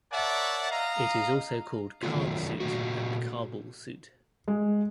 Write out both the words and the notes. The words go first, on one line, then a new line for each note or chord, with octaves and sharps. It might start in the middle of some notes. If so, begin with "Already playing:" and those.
It is also called Khan suit and Kabul suit.
A#4 C#5 D5 E5 F#5 A5
D#5 F5 A#5
D#3 F#3 G#3 A3 B3 F4
A#2 A3 F#4
G#3